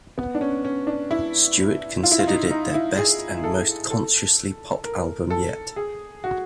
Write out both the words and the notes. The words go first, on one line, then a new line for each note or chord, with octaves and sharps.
Stewart considered it their best and most consciously pop album yet.
B3
D4
C#4
C#4
D4
E4
F4
E4
F4
D#4
D#4
E4
G#4
A4
A4
A#4
A4
G#4
F#4